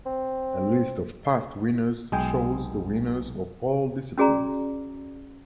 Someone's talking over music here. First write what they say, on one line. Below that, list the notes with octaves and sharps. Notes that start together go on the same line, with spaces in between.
A list of past winners shows the winners of all disciplines.
C4
B1 G#3 G#4 G5
C#4 F#4 G#4 D5 A#5